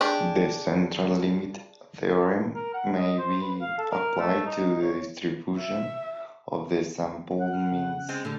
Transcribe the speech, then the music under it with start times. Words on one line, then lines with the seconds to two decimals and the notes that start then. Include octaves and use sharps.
The central limit theorem may be applied to the distribution of the sample means.
0.01 D4 G4 G#4
2.55 A#4
2.74 F#5
2.97 D#5
3.18 C5
3.42 B4
3.61 F5
3.78 A4
3.92 A#4
4.19 A3
4.46 D#4
4.82 C#5
5.59 E5
7.40 F#5
7.53 F6
7.72 C#3
8.09 G#3 C4
8.25 A2 D3 G3